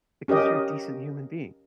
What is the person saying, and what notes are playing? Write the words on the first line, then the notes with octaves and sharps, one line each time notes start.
Because you're a decent human being.
C#4 G4 A#4 D#5